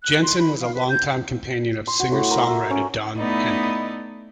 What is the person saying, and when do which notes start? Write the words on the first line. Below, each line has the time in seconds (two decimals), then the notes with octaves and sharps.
Jensen was a longtime companion of singer-songwriter Don Henley.
0.03 F#6
0.23 C6
0.40 B5
0.61 F5
0.74 B4
0.89 G6
1.87 C6
2.00 F#4
2.12 A2
2.31 A#4
2.47 E5
2.70 C#4
3.17 A3 B3 D#4 E4 D5 D#5